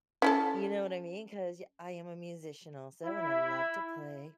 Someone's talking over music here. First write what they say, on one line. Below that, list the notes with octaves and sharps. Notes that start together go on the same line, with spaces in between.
You know what I mean, 'cause I am a musician also, and I love to play,
C#4 E4 A4
E4